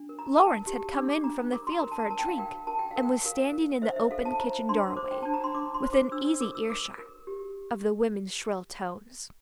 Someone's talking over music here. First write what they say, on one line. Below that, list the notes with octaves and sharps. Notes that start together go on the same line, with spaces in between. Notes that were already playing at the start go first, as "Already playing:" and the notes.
Lawrence had come in from the field for a drink, and was standing in the open kitchen doorway, within easy earshot of the women's shrill tones.
Already playing: D4
A#4
A#5
A#4 A5
G4
D4 D6
D6
D4 A#5
A#4 D6
C6
A#5
A#4
A5
A#4 A5
G5
F5
A#4 G5
A#4 A5
G5
F5
A#4
G5
A#4 F5
A#4
C5 E5
E5
A4 F5
A5
C5 A#5
D4 C6
C5 D6
G5
D4 A5
A#5
C6
D4 D6
C6
C5
D6
D4 E6
E6
A#4 D6
E6
A#4 D6
A#4
G4